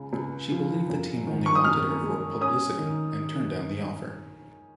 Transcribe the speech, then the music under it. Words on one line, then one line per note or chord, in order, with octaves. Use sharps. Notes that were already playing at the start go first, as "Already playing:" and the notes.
She believed the team only wanted her for publicity and turned down the offer.
Already playing: C#2 C#3
C#2
F3
F#2
D#3
C#6
D#6
F#2 F6
G#3
C#4 D#6
D#3